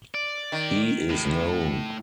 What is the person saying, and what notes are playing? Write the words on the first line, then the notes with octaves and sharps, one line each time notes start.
He is known.
D5
D#3
A2